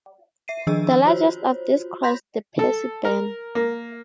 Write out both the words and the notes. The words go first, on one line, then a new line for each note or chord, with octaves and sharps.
The largest of these crossed the Percy Burn.
E5 C7 D#7
D#3 F3 D4 G#4 D#5 E6
F4 F#4 C5 C#5
B5 C6 G6 A#6 B6
A4
A#4
A#3